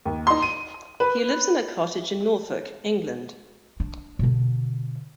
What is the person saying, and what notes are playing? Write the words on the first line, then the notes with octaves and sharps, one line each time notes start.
He lives in a cottage in Norfolk, England.
D#2
D#4 C6
D#7
B4
D4
B2 D3